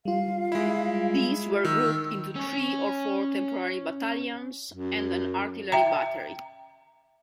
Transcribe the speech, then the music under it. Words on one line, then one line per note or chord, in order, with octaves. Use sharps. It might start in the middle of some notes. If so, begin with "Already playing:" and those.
These were grouped into three or four temporary battalions and an artillery battery.
G3 F4 F5
G#3 E4
D#3 E6
C#4 C#5
F#2
E5 G5 A#5